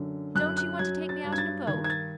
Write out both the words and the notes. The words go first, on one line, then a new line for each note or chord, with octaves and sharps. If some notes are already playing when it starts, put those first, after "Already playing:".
"Don't you want to take me out in a boat?"
Already playing: F#2 D3
F#2 F#6
F#6
F#3 G#6
A6
G2
G#6
A6
D#3 G#6
G#6
A6